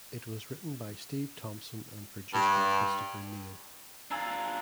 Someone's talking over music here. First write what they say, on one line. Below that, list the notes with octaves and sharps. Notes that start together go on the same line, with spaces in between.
It was written by Steve Thompson and produced by Christopher Neil.
G2
D4 F4 G#5 A#5 E6